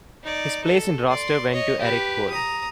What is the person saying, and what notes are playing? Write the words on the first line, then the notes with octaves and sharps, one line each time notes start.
His place in roster went to Erik Cole.
D#4 D5
A4
D5 C6
C#5 D#5
G4 B4
A#5 D#6